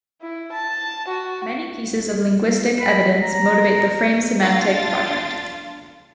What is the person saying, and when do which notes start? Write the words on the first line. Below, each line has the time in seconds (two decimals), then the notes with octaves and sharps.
Many pieces of linguistic evidence motivate the frame-semantic project.
0.21 E4
0.52 A5
1.07 F#4
2.80 B5
3.22 A#5
4.39 D4 F4 A6